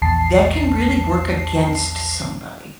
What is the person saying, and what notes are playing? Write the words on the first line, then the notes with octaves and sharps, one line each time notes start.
that can really work against somebody.
A#1 E2 A5 C7